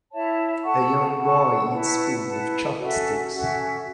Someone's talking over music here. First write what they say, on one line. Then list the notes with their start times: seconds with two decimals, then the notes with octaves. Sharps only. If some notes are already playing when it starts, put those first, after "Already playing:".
A young boy eats food with chopsticks.
0.11 E4 C#5 E5 A5
0.65 A4 F#5 A5 C#6
1.19 A4 F#5 A5 C#6
1.72 E4 B4 F#5 A5
2.25 E4 B4 F#5 A5
2.80 C#4 F#4 A4 E5
3.33 C#4 F#4 A4 E5